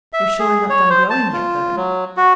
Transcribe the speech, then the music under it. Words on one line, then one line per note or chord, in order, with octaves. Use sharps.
You're surely not done growing yet, though!
E5
G#4
C#5
C5
A5
F4
F#3
F#4